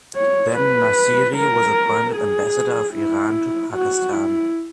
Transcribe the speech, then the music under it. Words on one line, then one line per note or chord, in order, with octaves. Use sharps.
Then Nassiri was appointed ambassador of Iran to Pakistan.
C#5
B4
A#4
G#4
E4
F#4
E4